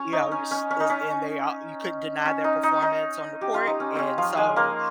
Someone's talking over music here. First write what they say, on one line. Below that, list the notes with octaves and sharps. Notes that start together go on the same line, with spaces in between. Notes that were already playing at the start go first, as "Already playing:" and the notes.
you know, your s it's and they ar you couldn't deny their performance on the court. And so,
Already playing: C#4 C#5
D#4
C#4
C#4
C#4
D#4
C#4
C#4
D#4
D#4
D#4
G4
F4
D#4
C#4
C4 C#4
F3 F4
G#3 G#4
A#3 A#4